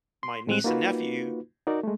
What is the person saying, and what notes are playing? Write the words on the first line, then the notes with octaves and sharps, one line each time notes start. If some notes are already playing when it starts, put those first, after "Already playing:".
my niece and nephew,
C6
A2 G#3 C4 F#6
A#3 D#4 F4 F#4 B4
D#4 F#4 A#4 D5
G#3 A3